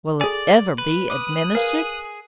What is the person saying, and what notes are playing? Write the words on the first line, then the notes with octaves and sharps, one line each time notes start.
Will it ever be administered?
G#4 A4 D5 G#5
B4
D6 D#6 F#6
G#4 A#4 B4 F5